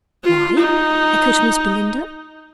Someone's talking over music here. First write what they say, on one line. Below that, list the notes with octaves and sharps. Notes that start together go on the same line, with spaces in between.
"Why?" echoed Miss Belinda.
F4
D#4